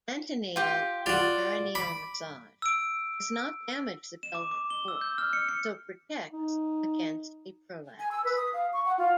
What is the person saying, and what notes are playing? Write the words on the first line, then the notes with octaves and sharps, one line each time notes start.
Antenatal Perineal Massage does not damage the pelvic floor, so protects against a prolapse.
F4 G4
F4 F#4 D5
B5 D6
E6 D7
E7
D6
D6
G7
E6
G6
F6
C#7
C#7
D#4
G#5
E6
B4
D#6
F5
C#6
F#5
F4